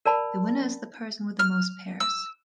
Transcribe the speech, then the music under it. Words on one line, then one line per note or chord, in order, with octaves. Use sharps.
The winner is the person with the most pairs.
A#4 D5 A5 B5
F6
E6